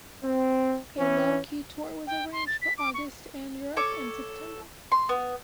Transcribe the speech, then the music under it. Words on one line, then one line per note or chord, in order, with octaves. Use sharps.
A low key tour was arranged for August and Europe in September.
C4
E3 C#4
G5
C6
A6
B6
D6
C#6
A4 C#5 D6
C6
B3